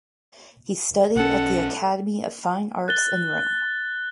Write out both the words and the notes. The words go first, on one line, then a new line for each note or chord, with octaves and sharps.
He studied at the Academy of Fine Arts in Rome.
B1 C#4 A4 F#5
F#6 A6 G7